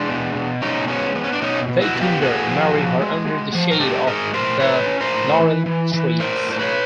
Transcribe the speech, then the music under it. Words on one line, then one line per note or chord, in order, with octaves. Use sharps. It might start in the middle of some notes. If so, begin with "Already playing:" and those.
Vaikundar married her under the shade of the laurel trees.
Already playing: G#3 D4
B2
B2
G#3 C#4 D#4
B3 C#4
B3
C#4
D4
B2 C#4 D#4
B2
E4 F#4
B3 F#4
F4 G4
A2 F#4 G#4
F3
F3
G#3
G#3
F3
A#4
G#3 G4 A4
G#3 G#4 A#4
A2 A#4 C5
A2 B4 C#5
C#4
A#4 C5
A2
E3
E3
E3
A3 A#4 C5
A2
C5
B4 C#5